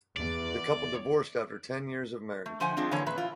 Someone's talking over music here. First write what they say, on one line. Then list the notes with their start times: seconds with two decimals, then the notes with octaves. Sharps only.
The couple divorced after ten years of marriage.
0.17 E2 D5
2.46 A3
2.60 D3 F3 C5 F#5 G#5
2.77 F3 G#3 C4 D4 F4
2.91 D3 E3 F3 A#3 C#5 G#5
3.06 A#2 B4 E5
3.18 E4 F4